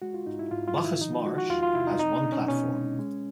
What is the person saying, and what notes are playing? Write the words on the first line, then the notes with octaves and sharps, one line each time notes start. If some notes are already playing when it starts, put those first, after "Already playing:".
Bacchus Marsh has one platform.
G#3 F#4
F4
G#2 D#4
E4
G#2 F4
F4
D#3
E4
F3 D#4
F4
G#3 F#4
F#4
E2 F4
F4
C3 E4
D#4
C4 D#4
D4
B2
C#4
B2 C#4
G#3
G#3